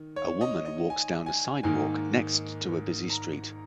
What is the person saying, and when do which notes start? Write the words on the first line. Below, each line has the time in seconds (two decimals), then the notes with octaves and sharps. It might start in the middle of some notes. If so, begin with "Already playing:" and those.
A woman walks down a sidewalk next to a busy street.
Already playing: D#3
0.16 C#5
0.41 D#5
0.65 D#5
0.90 G#5
1.26 G#5
1.63 G#2 D#3 A#3 G#5
3.10 A#5